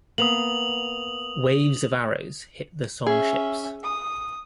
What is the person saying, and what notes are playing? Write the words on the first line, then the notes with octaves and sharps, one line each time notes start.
Waves of arrows hit the Song ships.
A#3 B3 D#6 F7 F#7
C#4 G#4 E5
D#6